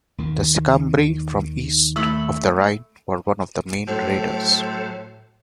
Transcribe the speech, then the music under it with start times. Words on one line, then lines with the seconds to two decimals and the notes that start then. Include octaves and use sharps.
The Sicambri, from east of the Rhine, were one of the main raiders.
0.18 D#2 D#3
1.96 A3 B5 E6
3.87 A2 F#3 A4 C5